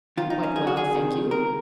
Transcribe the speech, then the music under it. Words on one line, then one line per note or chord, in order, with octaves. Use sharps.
"Quite well, thank you."
F#2 D#3 F4
D#4
C#4
G#4
F#4
G#4
C#2 C3 D#3
A#4